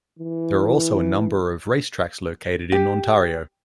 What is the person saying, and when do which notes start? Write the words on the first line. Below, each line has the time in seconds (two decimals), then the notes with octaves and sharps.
There are also a number of racetracks located in Ontario.
0.19 E3
2.72 G4